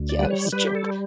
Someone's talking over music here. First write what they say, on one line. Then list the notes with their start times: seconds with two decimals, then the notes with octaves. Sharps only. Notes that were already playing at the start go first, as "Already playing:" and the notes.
Yeah, it was a joke.
Already playing: D2
0.09 D5
0.19 G3 B4
0.30 C#5
0.52 G3 B4
0.67 G4
0.75 A4